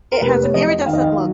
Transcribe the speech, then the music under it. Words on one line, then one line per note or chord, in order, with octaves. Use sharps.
It has an iridescent look.
A#4
F1 B4
C#5
F2 D#5
D#3 F5
D#5
F5
F#3